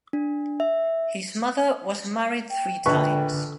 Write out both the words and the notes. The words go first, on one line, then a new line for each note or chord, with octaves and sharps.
His mother was married three times.
D4
E5
G5
A#1 D3 B4 C#6